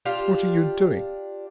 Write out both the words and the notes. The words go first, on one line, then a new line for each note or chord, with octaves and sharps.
'What are you doing?
D4 F4 G4